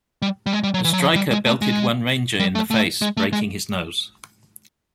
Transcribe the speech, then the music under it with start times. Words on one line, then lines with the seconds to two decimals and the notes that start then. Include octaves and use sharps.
A striker belted one Ranger in the face, breaking his nose.
0.22 G3
0.46 G3
0.53 G#3
0.63 G3
0.74 F#3
0.84 E3
0.93 F#3
1.00 F3
1.16 G3
1.31 G#3
1.46 A3
1.62 G#3
2.40 G3
2.55 A3
2.70 A3
3.02 G#3
3.17 A3
3.33 G#3